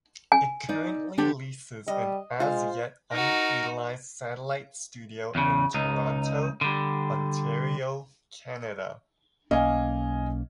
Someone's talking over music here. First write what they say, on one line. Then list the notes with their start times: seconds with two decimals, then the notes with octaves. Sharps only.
It currently leases an as-yet unutilized satellite studio in Toronto, Ontario, Canada.
0.32 G#5
0.69 D#4 D5
1.18 D3 D4 G4
1.88 G3 D#5
2.40 G#3 F4 C5
3.11 D#4 F#4 A#4
5.35 E2 C#3
5.74 C#2 D#4
6.61 D3 G3
9.51 B1 A#3 C#4 D#5 F5 G#5